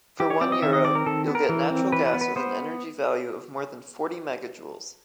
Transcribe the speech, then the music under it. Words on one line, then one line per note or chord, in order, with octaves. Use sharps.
For one Euro, you’ll get natural gas with an energy value of more than forty mega joules.
E3 G4
C#5
C4 D5
D#5
D#3 E5
D#5
C4 D5
A#4
D#3 A4
B3
A#4
E3
C4
E3 B4
B4
B3
B4
B3 C5